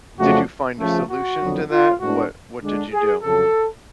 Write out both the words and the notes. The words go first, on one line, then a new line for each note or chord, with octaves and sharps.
did you find a solution to that? What what did you do?
F2 C#3 F#3 A3 D4 F#4
C#3 F3 A3
F#4
F2 D3 F#3 B3
F4
A2 G#3 B3 D4 F#4
D3 G#3 D4
G#4
F2 C#3 F#3 A4